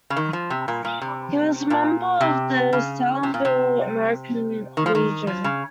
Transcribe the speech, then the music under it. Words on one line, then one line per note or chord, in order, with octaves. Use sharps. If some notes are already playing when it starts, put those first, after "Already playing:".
He was a member of the Salineville American Legion.
C#3
D#3
F3
C3
A#2
A#2
C3
A#2
C3
C#3
C3
A#2
C3
D#3
F3
D#3
F3
C#3